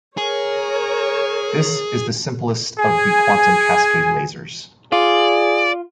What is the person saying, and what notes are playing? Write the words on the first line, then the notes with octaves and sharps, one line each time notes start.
This is the simplest of the quantum cascade lasers.
G#4 A#4 C#5
G#4 G#5
F4 G#4 D5